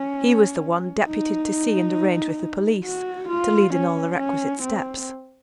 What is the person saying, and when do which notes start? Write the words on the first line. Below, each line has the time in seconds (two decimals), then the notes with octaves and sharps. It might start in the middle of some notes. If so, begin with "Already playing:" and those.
He was the one deputed to see and arrange with the police--to lead in all the requisite steps.
Already playing: C#4
1.07 D#4
2.84 F#4
3.28 F4
3.73 C#4
4.17 C#4
4.62 C4